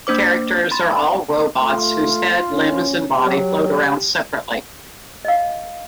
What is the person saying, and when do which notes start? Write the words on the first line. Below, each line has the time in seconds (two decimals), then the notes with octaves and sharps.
Characters are all robots whose head, limbs, and body float around separately.
0.07 A#3 D4 C5 D6
0.71 B5 C6 A6
1.60 A3 F4
2.50 C#4
3.18 F#3 G4
5.25 D#5 F5